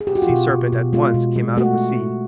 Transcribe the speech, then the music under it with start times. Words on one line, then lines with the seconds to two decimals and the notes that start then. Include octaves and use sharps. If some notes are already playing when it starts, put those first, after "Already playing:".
The sea serpent at once came out of the sea.
0.01 G#4
0.07 G4
0.15 F#4
0.22 F4
0.29 B2 E4
0.51 B2
0.72 B2
0.93 G#3 F4
1.14 B2
1.36 G#3
1.57 A3 F#4